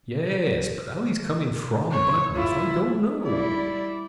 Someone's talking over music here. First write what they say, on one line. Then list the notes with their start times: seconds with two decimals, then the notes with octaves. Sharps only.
"Yes; but how he's coming from Budmouth I don't know."
1.91 C#5
2.34 E4 F4
3.26 G3 E4 D5